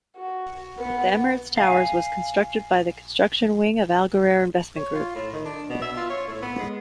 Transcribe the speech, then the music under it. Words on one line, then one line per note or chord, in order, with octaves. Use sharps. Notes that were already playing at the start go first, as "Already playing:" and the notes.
The Emirates Towers was constructed by the construction wing of Al Ghurair Investment group.
F#4
B3
F5 G#5
C#5
F4
A2
D#3
D4
B2
E5
F4
C#5
A2
B3
G#3